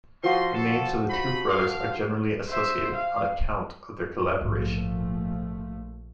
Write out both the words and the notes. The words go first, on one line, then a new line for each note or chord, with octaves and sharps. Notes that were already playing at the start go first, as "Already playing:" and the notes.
The names of the two brothers are generally associated, on account of their collaboration.
F3 G3 F#4 D#5 C6
A4
D#4 B5
F5
C5 E5
F5
A#1 G#2 F3 A3 C4